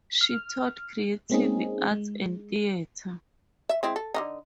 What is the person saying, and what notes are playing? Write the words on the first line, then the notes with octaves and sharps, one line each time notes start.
She taught Creative Arts and Theatre.
F6
G#3 A#3 C4 C#4 D#4 G#4
G#3
E5
G#3 C4 E4
A4
D3 D#3 D#4